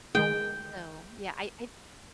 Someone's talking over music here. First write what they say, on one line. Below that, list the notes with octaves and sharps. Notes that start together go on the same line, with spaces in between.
So, yeah, I I
D#3 G#3 G#4 G5